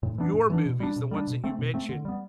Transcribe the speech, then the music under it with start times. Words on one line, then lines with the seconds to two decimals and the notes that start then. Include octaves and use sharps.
your movies, the ones that you mentioned,
0.03 A2
0.18 E3 B3 D4
0.34 A2
0.50 E3 B3 D4
0.66 B2
0.80 G3 B3 D4
0.96 B2
1.11 G3 B3 D4
1.27 B2
1.44 A3 C4
1.59 B2
1.74 A3 C4
1.89 D3
2.05 G3 B3